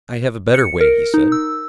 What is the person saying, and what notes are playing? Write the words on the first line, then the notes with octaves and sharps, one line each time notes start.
"I have a better way," he said.
C#7
A#4
D#4
E6